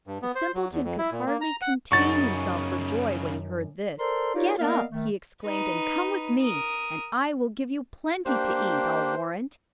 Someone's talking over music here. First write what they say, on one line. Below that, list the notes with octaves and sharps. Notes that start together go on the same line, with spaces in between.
The simpleton could hardly contain himself for joy when he heard this. "Get up," he exclaimed, "and come with me, and I will give you plenty to eat, I'll warrant."
G2
B3
C5
F#3
E2
F2
E4
A#2
A#3
A#5
F#5
F#2 C#3 B3 D#4 C#6 A6
A4 A#4 C5 D5 C6
D#4 F4 G4 A#4 C#5 D5
A#3 B3 A#4 D5 D#5 F5
D#3 A3
D#4 B4
A#4 D#6
A#3 D4 G4 C5